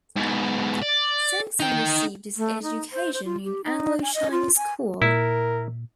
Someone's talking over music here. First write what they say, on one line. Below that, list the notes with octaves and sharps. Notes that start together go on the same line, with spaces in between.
Seng Song received his education in Anglo-Chinese School.
G#2 B2
D5
D#4 G5
A3
D#4
C5
C5
F4
G4
D#4
G#5
D#5
F4
G#5
A#2 E4 A#4